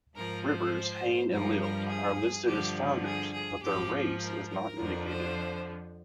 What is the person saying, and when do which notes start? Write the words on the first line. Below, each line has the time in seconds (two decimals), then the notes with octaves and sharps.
Rivers, Hayne and Leeld are listed as founders but their race is not indicated.
0.16 G#2 F3 A#4
0.45 C5
1.31 G2 F3 A#4
1.60 A#4
1.89 G#4
2.46 G2 D3 F3 G4
3.04 G#4
3.33 G#4
3.62 G#2 F3 G4
4.19 A#4
4.49 A#4
4.77 F2 D3 F3
5.06 C5